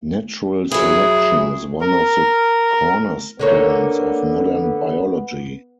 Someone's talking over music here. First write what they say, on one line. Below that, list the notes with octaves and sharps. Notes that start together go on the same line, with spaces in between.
Natural selection is one of the cornerstones of modern biology.
F#3 E4 G#4
A#4
D3 A#3 B3 C#5